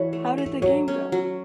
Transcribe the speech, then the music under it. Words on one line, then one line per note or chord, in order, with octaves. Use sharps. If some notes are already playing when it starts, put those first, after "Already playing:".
How did the game go?
Already playing: E3 F#4 A4 C#5
A3
A3
F#3 C#5
C#4
F#3